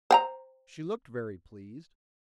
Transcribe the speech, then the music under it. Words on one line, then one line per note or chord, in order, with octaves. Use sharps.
She looked very pleased.
C5 G5 A#5